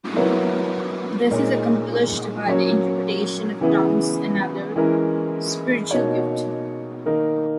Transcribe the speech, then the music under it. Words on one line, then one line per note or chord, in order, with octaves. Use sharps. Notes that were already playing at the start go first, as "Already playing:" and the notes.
This is accomplished by the interpretation of tongues, another spiritual gift.
F#3 B3 E4 A#4 C#5
A#2 G#3 D#4 A#4 C#5
F#3 A#3 C#4 F#4 C#5
C#3 E3 B3 E4 G#4
E3 G#3 C#4 E4 A#4
B2 A#3 D#4 F#4 C#5
D#3 A#3 D#4 A#4